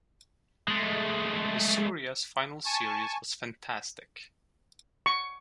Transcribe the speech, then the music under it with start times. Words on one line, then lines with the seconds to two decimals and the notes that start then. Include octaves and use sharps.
Licuria's final series was fantastic.
0.68 G#3 A3
2.66 G#5 A5 C#6
5.06 C#6